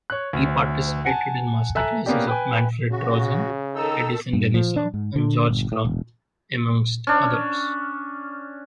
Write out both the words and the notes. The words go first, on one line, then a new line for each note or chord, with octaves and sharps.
He participated in masterclasses of Manfred Trojahn, Edison Denisov and George Crumb, amongst others.
C#5 F#6
D2
F#5 G#5 A5
A4 E5 G#5 A#5 F#6
A#3 B3 C#4 D4 G4
B4 G5 G#5
C#3 F#4
D#3 D#4 A4 E6
G2
F3
D4
G#2
D3
G1
A2
E1
C#4 D4